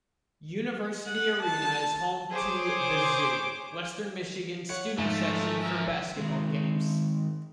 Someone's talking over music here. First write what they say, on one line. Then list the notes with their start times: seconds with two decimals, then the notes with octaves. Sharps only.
University Arena is home to "The Zoo", Western Michigan's student section for basketball games.
1.07 F#5
1.43 A5
2.30 G#4 C5 C#5 D6
4.70 C#5 F#5
4.98 G#2 F3 A3 E7
5.64 A#4 E5
6.16 D#3 G#3 C4